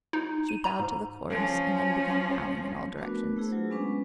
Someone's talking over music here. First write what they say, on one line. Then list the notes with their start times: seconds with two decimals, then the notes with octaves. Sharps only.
She bowed to the chorus, and then began bowing in all directions.
0.13 D#4
0.49 D#7
0.64 A#5
0.79 G#2
1.29 F3 C#4
2.97 A3 B3 D4 F#4 A#4 B4
3.37 A3 E4 G#4 C5
3.52 F#3 F4
3.70 G#3 B3 C#4 D4 B4